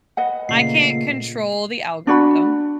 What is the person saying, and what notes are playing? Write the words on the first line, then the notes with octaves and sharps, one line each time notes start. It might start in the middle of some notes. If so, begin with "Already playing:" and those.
I can't control the algorithm,
B4 D#5 F#5
A#2 C#3 A3 A#3 C7
D4 F#4 B5